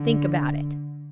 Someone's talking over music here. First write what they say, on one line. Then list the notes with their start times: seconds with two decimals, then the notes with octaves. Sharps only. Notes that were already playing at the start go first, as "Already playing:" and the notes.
Think about it.
Already playing: D3